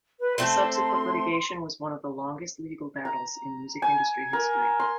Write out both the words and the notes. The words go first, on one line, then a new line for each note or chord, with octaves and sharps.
The subsequent litigation was one of the longest legal battles in music industry history.
B4
A3 C4 A4 C6
A#5
G#5
A#4
C6